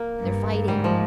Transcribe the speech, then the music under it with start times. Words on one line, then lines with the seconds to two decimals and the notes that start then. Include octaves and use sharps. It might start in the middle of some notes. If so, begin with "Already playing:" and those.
"They're fighting!"
Already playing: A#3
0.20 G2
0.68 G#2 G3
0.84 F3